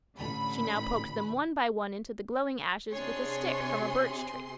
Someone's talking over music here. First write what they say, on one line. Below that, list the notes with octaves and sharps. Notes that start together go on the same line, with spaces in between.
She now poked them one by one into the glowing ashes with a stick from a birch tree.
A1 D3 B5
C3 D4 G#4 C#5 C6